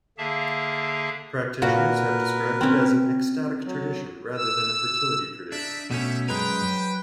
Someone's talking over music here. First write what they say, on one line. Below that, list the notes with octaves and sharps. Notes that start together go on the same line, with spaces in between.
Practitioners have described it as an ecstatic tradition rather than a fertility tradition.
D3 A#3 G#4 E5 F5 A5
A#2 F#4 A#4 B4
C4 C#4
F#3
E6
D4 D#4 A#4 E5
B2 A3 C#4 G4 E5
F#2 G#3 G4 B4 C5 G5 A#5
F#3